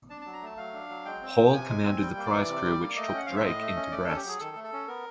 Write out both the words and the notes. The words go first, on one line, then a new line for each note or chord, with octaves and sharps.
Hall commanded the prize crew which took "Drake" into Brest.
D4 A5
F#3 A5
A#5
A3 A5
F#3 F5
D4
F#3
G#3 G5
C4
F3
C3 G#5
G#3
C4
G3 G5
A#3
D5
E3
C3
G3
A#3
A3 D#5
G5
C#4 F#5
F3 F5
E5
A2 D#5
A3
C#4
A3 D5
C#4 A4
G4
F#3 G#4
D#3 A4
A3
A4
C#4
B3 A#4